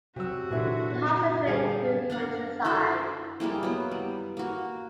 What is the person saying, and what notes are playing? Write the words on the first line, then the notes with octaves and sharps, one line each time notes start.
He hops a train into the countryside.
C3 F#3 F#4 G4 E6
A#2 D3 E3 E5
D3 G3 G4 G#4 F5 A5
D4 F5 F#5
E4 F#4 A4 E5
G3 G#3 A#3 E4
F#3 B3
G3
A#3 F#4